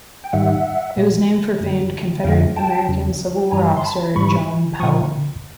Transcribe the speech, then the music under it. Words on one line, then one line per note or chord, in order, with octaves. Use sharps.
It was named for famed Confederate American Civil War officer John Pelham.
G5
G#2 D#3 G3 E5 F#5
A#2 G3
F#2 D3 G3
F2 D3 F3 F5 G5
G5 A5
E2 C#3 F#3
G2 E3 G3 G#5 A#5
C6
A5 B5
G#2 E3 G3 B5 C#6
A#2 F3 C#6 D#6